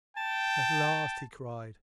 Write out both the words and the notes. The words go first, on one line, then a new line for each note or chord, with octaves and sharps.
"At last!" he cried.
G5 A5